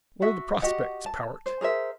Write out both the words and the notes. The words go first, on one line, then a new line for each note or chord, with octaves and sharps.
"What are the prospects, Powart?"
F#4 E5
F#4 G4 D#5 F#5
A5
C5
G#4 A#4 C5 E5